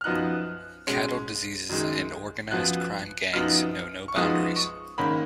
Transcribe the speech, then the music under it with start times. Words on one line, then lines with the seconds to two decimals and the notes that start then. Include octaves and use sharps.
Cattle diseases and organised-crime gangs know no boundaries.
0.01 F6
0.04 F#2 F3 B3 D#4 F#6
0.87 B2 G#3 C#4
1.69 F#2 D#3 G#3
2.51 F#2 F3 B3 F#6
3.33 F#2 F3 B3 D#4 F6
4.08 C#6
4.16 F#2 F3 G#3 B3 D#4 D#6
4.56 C#6
4.98 G#2 D#3 A#3 C#4 B5